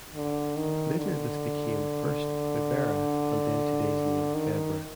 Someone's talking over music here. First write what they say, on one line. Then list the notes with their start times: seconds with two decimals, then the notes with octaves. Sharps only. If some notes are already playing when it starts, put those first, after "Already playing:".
Later this became first "Bibera", and then today's name Bebra.
0.15 D3
0.57 D#3
0.99 D3
4.35 D#3